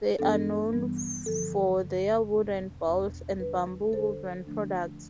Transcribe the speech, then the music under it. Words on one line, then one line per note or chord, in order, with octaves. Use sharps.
They are known for their wooden bowls and bamboo woven products.
G2 E3 G3 B3 D4 A4
G2 E3 G3 B3 D4
G2 D3 F3 A4
G2 D3 F3
E2 B2 B3 D4
E2 B2 B3 D4
D3 G3 D4 B4
D3 G3 D4 A4 C5
D3 F3 A3 D4